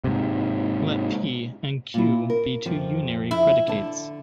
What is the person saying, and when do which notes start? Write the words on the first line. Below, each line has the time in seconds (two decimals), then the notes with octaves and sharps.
Let "p" and "q" be two unary predicates.
0.04 G#2 C3
1.94 A#2 E4
2.30 A#4
2.65 F2 C3 F3
3.31 E4
3.67 D3 A5